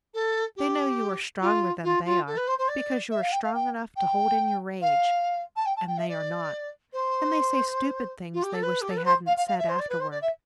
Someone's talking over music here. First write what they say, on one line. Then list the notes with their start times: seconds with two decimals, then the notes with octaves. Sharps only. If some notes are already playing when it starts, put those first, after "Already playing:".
They know you are stronger than they are, because you are strong enough to hold in your rage and they are not, and they say stupid things they wish they hadn't said afterward.
0.14 A4
0.56 G4
1.41 F4
1.84 F4
2.05 F4
2.27 A4
2.37 B4
2.47 C5
2.58 C5
2.68 D5
3.11 E5
3.21 F5
3.32 G5
3.43 F5
3.54 G5
3.96 G5
4.81 F5
5.56 A5
5.66 G5
5.77 A5
5.87 G5
5.97 E5
6.09 D5
6.93 C5
8.33 F4
8.43 G4
8.53 A4
8.63 B4
8.81 G4
8.90 A4
8.97 B4
9.04 C5
9.26 F5
9.37 F5
9.47 F5
9.59 E5
9.69 C5
9.79 D5
9.89 B4
10.00 C5
10.11 D5
10.22 E5